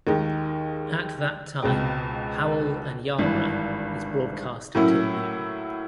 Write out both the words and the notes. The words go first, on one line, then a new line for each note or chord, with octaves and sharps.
At that time, Howell and Yarbrough is broadcast until noon.
D#2 D#3 G#3
C#2 B2 G#3 C4
G#1 G2 E3
A2 F#3 A#3 C#4 E4